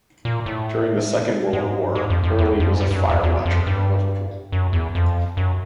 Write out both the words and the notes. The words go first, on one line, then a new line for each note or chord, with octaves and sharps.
During the Second World War, Gourley was a firewatcher in Liverpool.
A#2
A2
G#2
G2
G#2
F2
F2
E2
F2
G#2
G2
G2
F#2
E2
E2
F2
G2
F#2
E2
F2
F#2